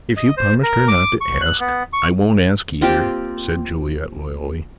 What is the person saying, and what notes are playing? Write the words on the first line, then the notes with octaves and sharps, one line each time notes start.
"If you promised her not to ask, I won't ask either," said Juliet loyally.
D#5
C5
A#4
D6
C#6
F#6
B3
C#6
A#3 C4 F4 G4